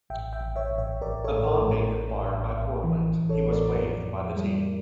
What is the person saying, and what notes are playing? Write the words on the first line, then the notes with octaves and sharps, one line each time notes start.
Upon being acquired by Portland, he was waived by the team.
A1 E5 G5
E5 G5
A1
C#5 E5
A1
C#5 E5
A1 A#4 D5
A4 C#5
A2
A#4
A2
A#4
A1
A1
A1
E3
A1
A4 C#5
A2
A#4 D5
F2
F2
G3